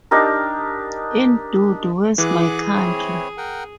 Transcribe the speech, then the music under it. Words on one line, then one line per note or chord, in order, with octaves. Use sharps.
In Dude, Where's My Country?
D4 D#4 G4 A#4
E3 G#4 F#5 D6 F#6
C4 E4 C#5
A#4 F#5 G5